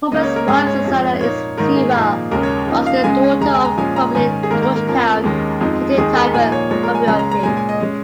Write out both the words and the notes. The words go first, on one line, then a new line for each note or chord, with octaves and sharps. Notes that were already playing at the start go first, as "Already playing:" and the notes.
Hoban's wife Susanna Sewall was the daughter of the prominent Georgetown "City Tavern" proprietor.
C#2 C#3 A#3 C#4 D#5
C#5
A#4
G#2 G#3 C#4 G#4
C#5
F2 F3 G#3
A#2 A#3 D#4 C#5
G#2 D#3 A#3 D#4 A#4
G#4
A#2 F3 A#3 D#4
D#2 C#3 G#3 C#4 A#4
C#5
C#3 F3 A#3 D#4
F5
C#2 C#3 G#3 G#5
D#2 C#3 G#3 A#5
G#5
A#5
A#2 F3 G#3 C#4 G#5
A#5
G#2 D#3 C#4 G#5
G#4
G#2 D#3 A#3 A#4
A#4
A#4
F2 F3 C#4 A#4
D#2 D#3 G#3 C#4
F2 F3 G#3 D#4
D#2 D#3 G#3 D#4 G#4
A#4
A#2 F3 A#3 D#4 G#5
C#5
A#2 F3 G#3 C#5
A#4
G#5
C#2 C#3 G#3 C#4 A#5
A#5
A#5
A#2 G#3 C#4 G#5
G#5
D#5
G#3 C#4